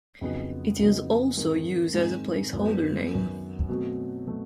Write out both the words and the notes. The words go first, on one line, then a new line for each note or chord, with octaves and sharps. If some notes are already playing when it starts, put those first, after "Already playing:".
It is also used as a placeholder name.
F2 C#3 F#3 B3 D#4
F2 C#3 F#3 B3 D#4
G#2 D#3 G#3 C4
G#2 D#3 G#3 C4
F#2 D#3 F#3 B3
F#2 D#3 F#3 B3
B2 F#3 A3 C4
B2 F#3 A3 C4